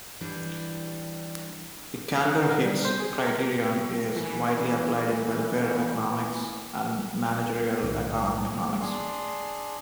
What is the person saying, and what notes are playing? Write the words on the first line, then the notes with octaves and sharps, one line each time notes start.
The Kaldor-Hicks criterion is widely applied in welfare economics and managerial economics.
E3 G3 D4
F#5
A#4
G3
C5
G#4
A#4
E3 C#4
B1 A2 D#3
D4 G#4 C6